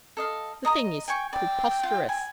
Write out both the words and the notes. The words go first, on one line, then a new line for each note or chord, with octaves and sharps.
The thing is preposterous!
A4 D#5 F5
D#5 A#5 D#6
G5 G#5 C#6
D5 G5 B5
F4
G#5 B5